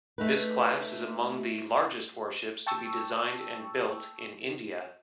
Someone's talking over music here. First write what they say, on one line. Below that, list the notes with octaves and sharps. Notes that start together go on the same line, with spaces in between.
This class is among the largest warships to be designed and built in India.
A3 D#4 B4
G5 A5 C#6 E6